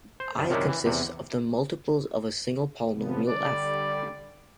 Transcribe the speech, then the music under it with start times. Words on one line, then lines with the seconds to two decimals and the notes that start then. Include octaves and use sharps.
"I" consists of the multiples of a single polynomial "f".
0.20 C5
0.38 F#2 D#3 A5
0.49 F#2 C3 D#3 C#4 D4 E4
0.68 E3
0.85 E2 C3
2.92 C3 F3 B3
3.28 D3 G3 D5